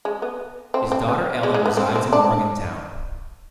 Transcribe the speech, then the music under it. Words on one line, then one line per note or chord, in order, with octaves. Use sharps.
His daughter Ellen resides in Morgantown.
G#3
B3
C4
C4
B3
G#3
G#3
B3
C4
C4
D4